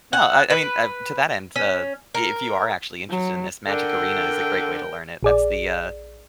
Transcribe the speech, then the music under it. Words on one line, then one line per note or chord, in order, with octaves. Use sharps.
No, I I mean, uh, to that end, uh, if you are actually interested in this, Magic Arena is a great way to learn it. That's the, uh,
F#5
B4
C#4
A#4
F#3
D3 A#4 G5
A#1 G#4 D5